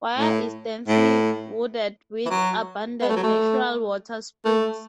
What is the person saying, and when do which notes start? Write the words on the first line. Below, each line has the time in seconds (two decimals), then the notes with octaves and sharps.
Waya is densely wooded with abundant natural water springs.
0.17 A2
0.88 A2
2.26 E3
2.30 F#3
3.02 B3
3.09 A3
3.16 F#3
3.23 A3
4.45 A3